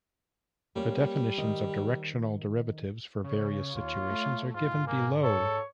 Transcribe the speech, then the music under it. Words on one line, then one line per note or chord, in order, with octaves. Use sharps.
The definitions of directional derivatives for various situations are given below.
G3 A#3 C#4 C5
D#3 C5 D#5
C#3 C#5
D#2 F4
A3
G#2 F4
A#3 G#5
A4 C#5